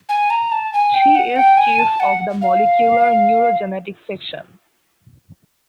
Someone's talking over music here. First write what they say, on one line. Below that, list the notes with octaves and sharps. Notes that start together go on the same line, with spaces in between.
She is chief of the Molecular Neurogenetics Section.
G#5
A#5
A5
G#5
G5
F#5
G5
G#5
A5
F#5
F5